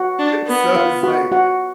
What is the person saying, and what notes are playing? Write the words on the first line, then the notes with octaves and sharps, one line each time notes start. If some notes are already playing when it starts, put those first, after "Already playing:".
so it's like,
Already playing: F#4 F#5
D4
B3
F4 F5
F#4 F#5
F#4 F#5